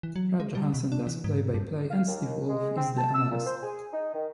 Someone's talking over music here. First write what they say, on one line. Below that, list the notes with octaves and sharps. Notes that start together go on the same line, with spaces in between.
Brad Johansen does play-by-play and Steve Wolf is the analyst.
E3
F#3
G#3
G3
B2
D4
E3
G#2
G2
F5
D#2
G#3
C4
A5
E6
A#2
C5
G#4
D#4
D#3